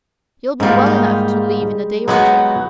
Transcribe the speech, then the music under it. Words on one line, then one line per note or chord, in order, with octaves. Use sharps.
You'll be well enough to leave in a day or two.
G#2 G3 G#3 A#3 F4
D#4
F#3 G#3 B3 D#4 E4 F#4